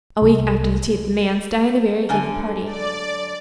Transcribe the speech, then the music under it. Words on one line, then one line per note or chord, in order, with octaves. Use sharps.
A week after the tea at the manse Diana Barry gave a party.
C2
F#2 D3 G#5
D5